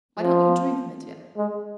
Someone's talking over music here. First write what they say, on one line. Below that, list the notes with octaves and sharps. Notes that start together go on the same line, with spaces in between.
Why don't you drink, Mitya?
F3
G#3